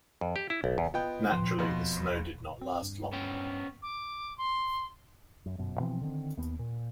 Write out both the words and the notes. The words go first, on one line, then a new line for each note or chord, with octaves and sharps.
Naturally, the snow did not last long.
F2
G4
E4
B1
E2
B3 F4 D#5 G5
F3 C6
F2 B2
C4
G2
B3 C#4 G5
D6
C6
F#2
G1 F#2 B2
B2 E3 F3 C4
D3 D#3 C4
D#2 B3
A#2